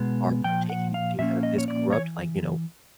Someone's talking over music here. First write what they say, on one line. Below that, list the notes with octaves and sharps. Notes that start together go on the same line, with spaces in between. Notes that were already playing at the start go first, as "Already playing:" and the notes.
are partaking in things that are this corrupt, like, you know,
Already playing: B2 G#3 B3
A#2 F3 G5
F#5
F5
A#2 F3 A#3 C#4 E5
D#5
C#5
D5
E3 C#5